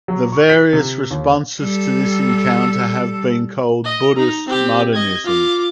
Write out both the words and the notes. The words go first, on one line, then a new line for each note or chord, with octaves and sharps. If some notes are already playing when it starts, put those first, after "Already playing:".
The various responses to this encounter have been called "Buddhist Modernism".
F#3
C#6
B6
C3
D#2
G3 A4
D#5
D#4 A#5
C4 G4
D#5 G#6
F4 D6